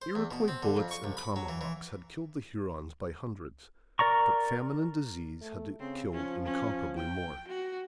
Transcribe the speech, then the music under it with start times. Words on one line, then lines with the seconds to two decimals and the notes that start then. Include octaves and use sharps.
Iroquois bullets and tomahawks had killed the Hurons by hundreds, but famine and disease had killed incomparably more.
0.02 C5
0.15 E2
0.31 B2
0.48 C4
0.63 D3
0.77 F2
0.91 C#6
1.04 C2
1.17 B5
1.36 F#3
1.49 E3
1.61 E3
3.99 A#4 D5 A#5 C#6
5.41 A3
5.80 C#3 C4
6.13 F3 C#4
6.45 C#4
6.97 G5
7.48 F#4